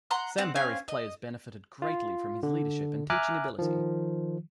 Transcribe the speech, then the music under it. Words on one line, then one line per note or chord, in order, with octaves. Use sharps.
Sam Barry's players benefited greatly from his leadership and teaching ability.
F#5 A#5 C6 F#6
C4 F#5
C4 C#4 F5 G#5
D#5
F4
D3
E5 G#5 A#5 D6 F6 F#6
D#3 F3